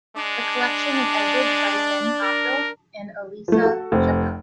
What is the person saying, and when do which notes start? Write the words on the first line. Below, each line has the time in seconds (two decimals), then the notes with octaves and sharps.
The collection is edited by Jenny Offill and Elissa Schappell.
0.17 G#3 D4
2.23 A#4
3.48 F3 A3
3.62 F#4 A4
3.92 F1 C4